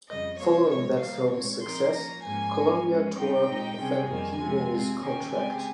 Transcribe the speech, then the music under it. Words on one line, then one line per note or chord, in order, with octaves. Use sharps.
Following that film's success, Columbia tore up Van Peebles' contract.
F2 C#3 G3 D#5
C3 G3 A#3 F4 C5 C#5
A#2 F3 G#3 C#5
D#3 G3 A#3 F5
A#2 G#3 C4 C#5
F3 C4 D#4 A#4 C6
F3 A#3 C#4 A#5
G#2 F3 A#3 C#4 G#5
G3 A#3 C#4
F3 G#3 C#4
G3 C4 D#4 G4 G5
A#2 G#3 D#4 G4
C3 G3 C#4 G#4
F2 D#3 G3 A#3 G#5
C3 F3 G#3
G#3 C4 F4
D#3 A#3 C#4 G4 G#5
C#3 G#3 C4 G4 G#5